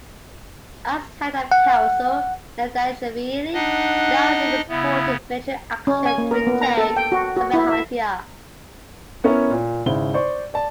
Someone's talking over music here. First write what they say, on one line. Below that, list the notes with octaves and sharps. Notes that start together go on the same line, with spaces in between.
As head of the Council, Nadareishvili loudly supported military action to retake Abkhazia.
F#5
D4 D#4 D#5 F#5
C#3 B3 E4
C#4
G#5
A#3
A#4
B3
A#5
A4
G5
F#4
F#4
E4
E5
B3 C#4 E4 A#4 C#5
A#2
G#1 C#3 E4 C5 G7
C5 D5 C#6
D5 A5